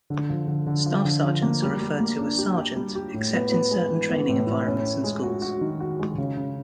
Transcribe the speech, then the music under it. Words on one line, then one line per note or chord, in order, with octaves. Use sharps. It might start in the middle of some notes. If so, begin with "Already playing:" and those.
Staff sergeants are referred to as "Sergeant" except in certain training environments and schools.
D3
F3
D3
D3
F3
D3
F3
A#3
G3
G3
A#3
D4
G4
G4
G3
G4
A2
B3
B3
G#3
E3
B3
A2
A2
C#4
C#4
G#3
F#4
F#4
D#3
F#4
G#3
C#3
C#3